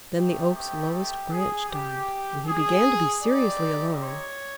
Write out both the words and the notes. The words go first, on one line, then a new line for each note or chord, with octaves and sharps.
Then the Oak's lowest branch died, and he began to be seriously alarmed.
A3 C4 D#4 G4
G4
G4
G#4
G4
G#4
C4 D#4 G4 D5
C#5